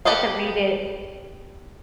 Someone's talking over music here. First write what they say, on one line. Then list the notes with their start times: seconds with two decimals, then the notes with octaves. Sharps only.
I could read it
0.05 G4 A4 B4 D#5 F5